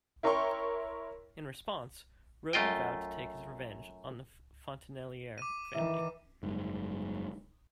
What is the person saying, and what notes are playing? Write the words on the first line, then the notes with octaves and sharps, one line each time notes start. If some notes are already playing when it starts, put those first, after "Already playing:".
In response, Roden vowed to take his revenge on the Fontenellier family.
E4 A#4 C#5 G5 C6 C#6
F#2 A3 F4 D#5 G5
D6 D#7
D#3 E3 E4 E5
F#1 G#2